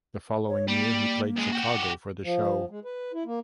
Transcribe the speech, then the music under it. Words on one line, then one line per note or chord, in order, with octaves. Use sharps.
The following year he played "Chicago" for the show.
C#5
G3 A#3
C#2 G#3
F#4 G4
F3
G#3
B4
E4
A#3